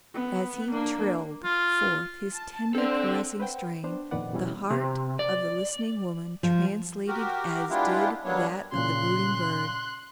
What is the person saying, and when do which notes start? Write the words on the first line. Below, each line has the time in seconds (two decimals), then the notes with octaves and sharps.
As he trilled forth his tender caressing strain, the heart of the listening woman translated as did that of the brooding bird.
0.14 B3
0.72 A#3 D4
1.44 F4
2.32 A5
2.75 C4 D4 A4 D5 E6
3.40 B4 C5 F#5 G5
3.84 B3 D4 C5
4.11 F2 A#2 D#3 B4 D5 F#5
4.33 B2 E3 G3 C#4 E4
4.70 C3
5.19 D5
6.43 F3
7.08 F#4 G4 A#4
7.69 G#3 B3 D4 E4 F4 G4
8.25 F#3 G3 A#3 B3 D4 C#5
8.72 A#2 C#3 C6 F#6